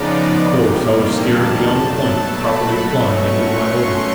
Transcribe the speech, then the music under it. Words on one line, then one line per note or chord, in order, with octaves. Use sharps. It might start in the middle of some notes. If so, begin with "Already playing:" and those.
Of course, I was scared beyond the point of properly applying any of my orders.
Already playing: C#3 F3 G#3 B3 D#4 D5
F2 C3 D#3 G3 A#3
A5
B2 F#3 A3 A5
B5
B2 F#3 A3 C#4 C#6
C6